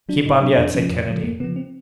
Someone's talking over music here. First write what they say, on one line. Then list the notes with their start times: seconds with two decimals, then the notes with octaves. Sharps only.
"Keep on yet," said Kennedy.
0.09 F#3 D4
0.25 A2 D#4
0.41 F#3 D4
0.58 F2 D4
0.74 C#3 F3 C#4
0.90 F2
1.07 C#3 F3
1.23 F2 A#3
1.40 C#3 B3
1.43 F3
1.56 C4